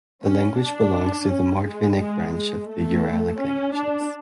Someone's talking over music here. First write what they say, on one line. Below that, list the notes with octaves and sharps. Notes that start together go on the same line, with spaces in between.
The language belongs to the Mordvinic branch of the Uralic languages.
C#4
D4
C#4
G#3
G#3
G#3
A3
C#4
D4